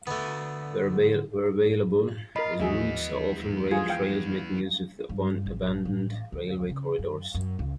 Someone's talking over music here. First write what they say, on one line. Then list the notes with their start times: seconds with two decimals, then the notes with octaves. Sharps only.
Where available, these routes are often rail trails making use of abandoned railway corridors.
0.07 D3 A3 B3 E5
2.36 F4 A#4 D#5 B5
2.60 D#2 E3 F3 G#3 B3 F#4 G#4 E5
3.71 F4 G#4 G#6
3.89 F5 G5
5.09 G2
5.46 A1
5.85 A1
6.32 D2
6.69 C#3
6.99 F#2
7.35 F#2
7.59 C#2